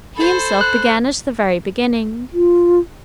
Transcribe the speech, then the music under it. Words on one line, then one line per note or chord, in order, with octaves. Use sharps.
He himself began at the very beginning.
A4 C5 B5
F#6
F4